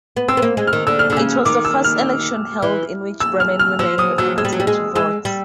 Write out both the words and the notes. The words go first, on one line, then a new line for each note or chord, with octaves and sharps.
It was the first election held in which Bremen women were permitted to vote.
B3
C4 E6
B3
A#3
G#3
F6
D#3
D3 E6
F6
D3
C#3 E6
D#3 D6
E6
F6
E3
E6
F6
F6
F3 E6
F#3 D#6
F#3 E6
G#3 E6
G3
F#3
G3
G#3
G#3 E6
G3